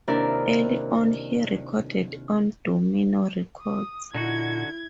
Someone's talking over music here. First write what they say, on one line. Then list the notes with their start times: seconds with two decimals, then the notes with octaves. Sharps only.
Early on he recorded on Domino Records.
0.07 D#2 C3 D4 E4 A#4 D5
3.61 D#6
4.15 A#2 D3 D#4 E4 F#4 G#6